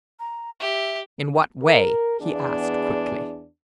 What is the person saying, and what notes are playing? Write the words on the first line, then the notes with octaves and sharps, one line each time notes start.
"In what way?" he asked quickly.
A#5
G4 E5
A#4
E2 B3 D4 G#4